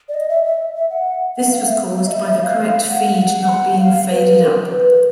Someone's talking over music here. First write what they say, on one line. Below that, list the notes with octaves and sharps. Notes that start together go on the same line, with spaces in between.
This was caused by the correct feed not being faded up.
D5
D#5
E5
E5
E5
F#5
F#5
F5
E5
F5
D#5
E5
E5
F5
F#5
F#5
F#5
F5
B4
B4
A#4
B4